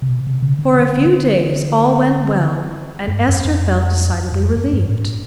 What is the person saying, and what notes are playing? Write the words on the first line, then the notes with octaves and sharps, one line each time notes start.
For a few days all went well, and Esther felt decidedly relieved.
C3
B2
C3
C#3
D3
D3
D3
F#2
G2
F#2
F2
F#2
F2
F#2
G2
A2